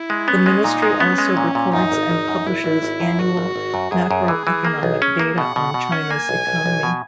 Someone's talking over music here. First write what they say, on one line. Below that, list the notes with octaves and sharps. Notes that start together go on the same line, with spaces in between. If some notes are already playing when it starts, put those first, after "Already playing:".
The ministry also records and publishes annual macroeconomic data on China's economy.
Already playing: E4
G#3
B3 C#4
G#3
A#2 D#4
G#3
B3 C#4
G#3
A#2
A#2
F#2 D#4
G#1
G#1
F#2
G#1 E4
G#1
G#1
F#2
G#1 F#4
G#1
G#1
F#2
F#2 G#4
F#2
E3
E3
A#3
B1
C#4
A#3
B2 F#5
B2
B2
C#4
A#3 G#5
B1
B1
B1
B2